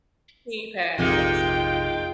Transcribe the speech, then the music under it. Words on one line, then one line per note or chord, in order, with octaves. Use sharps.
he passed.
A#1 F2 C3 G#3 A#3 D#4 F4 G5